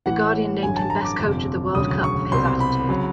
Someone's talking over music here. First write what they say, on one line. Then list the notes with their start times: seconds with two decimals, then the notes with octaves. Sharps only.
The Guardian named him "Best Coach of the World Cup" for his attitude.
0.06 A1 A2 E3 F#5
0.62 A1 G2 D3 F#3 G#5
0.77 A5
0.90 A#5
1.05 D6
1.19 G1 F2 C3
1.75 E1 D2 C#3 F#3 D#6
2.04 C#6
2.31 C2 B2 G3 C4 C6
2.60 B5
2.89 C#3 F#3